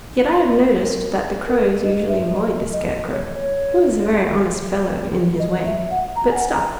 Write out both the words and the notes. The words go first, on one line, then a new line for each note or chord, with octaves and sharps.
Yet I have noticed that the crows usually avoid the Scarecrow, who is a very honest fellow, in his way, but stuffed.
A#4
A#4
B4
D#5
E5
D#5
D#5
C#5
D#5
E5
F#5
A#5
G#5
F#5
A#5